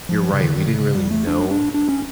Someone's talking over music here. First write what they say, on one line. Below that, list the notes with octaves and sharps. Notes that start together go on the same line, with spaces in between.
you're right, we didn't really know
F3
C#3
D#3
D3
D#3
C#3
C#3
G3
A3
D4
D4
D4
C#4